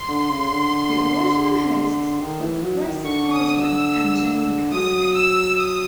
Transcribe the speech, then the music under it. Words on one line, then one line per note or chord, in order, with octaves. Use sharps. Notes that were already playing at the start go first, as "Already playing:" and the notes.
The original hosts were Chris Hardwick and Jenny McCarthy.
Already playing: C6
D3
C#3
D3
D#3
E3
F#3
D#3
D3 C#6
D#6
E6
F#3 D#6
E6
D#6